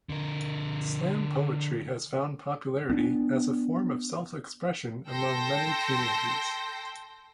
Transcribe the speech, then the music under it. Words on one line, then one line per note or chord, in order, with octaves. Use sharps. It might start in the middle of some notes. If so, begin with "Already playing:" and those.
Slam poetry has found popularity as a form of self-expression among many teenagers.
D3 A#4
B3 C4 D4
A4 G5 C6 E6 G6 A#6